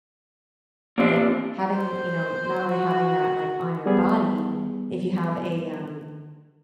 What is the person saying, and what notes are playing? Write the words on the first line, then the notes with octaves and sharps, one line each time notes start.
but having you know, not only having that, like, on your body, if you have a, um
A#2 C4 D4 G4
C5
F#4
G3 B3 G#4